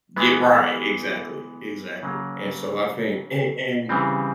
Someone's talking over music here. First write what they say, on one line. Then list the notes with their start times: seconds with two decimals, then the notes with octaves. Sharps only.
Yeah, right, exactly, exactly, and so I think an and
0.16 E3 G#3 B3
2.03 C#3 F#3 A#3
3.89 C#3 E3 G3 C4